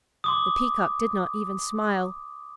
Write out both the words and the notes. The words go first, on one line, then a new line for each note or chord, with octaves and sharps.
The Peacock did not even smile.
C6 D6 D#6